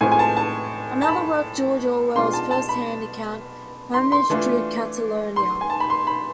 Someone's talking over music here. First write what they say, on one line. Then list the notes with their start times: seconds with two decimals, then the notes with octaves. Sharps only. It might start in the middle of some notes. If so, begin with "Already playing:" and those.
Another work George Orwell's first-hand account, "Homage to Catalonia".
0.01 A2 E3 G#3 C4 F4 G#5
0.12 G#5
0.19 A5
0.37 A5
1.02 A5
1.08 B5
2.15 B2 G#3 D4 F4 C6
2.33 A5
2.51 A5
2.69 B5
3.94 C6
4.12 C6
4.30 E3 A3 D4 F4
5.36 C6
5.61 G#5
5.70 A5
5.80 B5
5.90 C6
6.07 B5